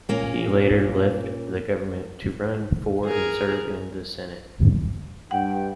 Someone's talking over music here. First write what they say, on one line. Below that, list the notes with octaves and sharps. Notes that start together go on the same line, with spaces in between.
He later left the government to run for and serve in the Senate.
A#2 A#3 C#4
G#4 A#4
G2 F#5 G5